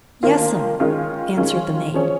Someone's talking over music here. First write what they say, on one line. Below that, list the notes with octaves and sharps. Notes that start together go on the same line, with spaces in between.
"Yes'm," answered the maid.
D#3 A#3 F4
D#3 G#3 C#4 F4
D#3 G#3 C#4 F4
F3 C#4 G#4 C#5